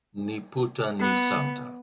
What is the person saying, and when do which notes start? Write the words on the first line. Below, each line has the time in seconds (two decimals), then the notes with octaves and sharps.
Ni Puta ni Santa.
0.99 B3